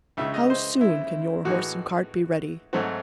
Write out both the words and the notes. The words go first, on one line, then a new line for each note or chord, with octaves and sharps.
"How soon can your horse and cart be ready?"
C#2 C#3 G#3 E5
D#5
C5
E4
A2 E3 G#3 D#4 F#4
G#2 F#3 A3 C4 F#4